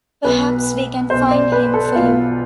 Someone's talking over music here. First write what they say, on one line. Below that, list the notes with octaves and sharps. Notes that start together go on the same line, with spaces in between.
Perhaps we can find him for you.
B1 B2 B4
B1 B2 C5
D5
B4
A4
B1 B2 F4